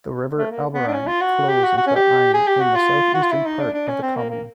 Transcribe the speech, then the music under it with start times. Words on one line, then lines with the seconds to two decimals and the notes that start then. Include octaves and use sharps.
The river Albarine flows into the Ain in the southeastern part of the commune.
0.37 A3
0.51 A#3
0.74 B3
0.87 D4
0.93 C#4
1.07 F4
1.21 F#4
1.49 G4
1.63 F#4
1.77 F#4
1.87 C#4
1.96 G4
2.34 G#4
2.47 G4
2.61 F#4
2.75 F4
3.14 F#4
3.23 F4
3.32 E4
3.45 D#4
3.60 D4
3.73 D4
3.88 C#4
4.02 C4
4.16 A#3
4.30 A#3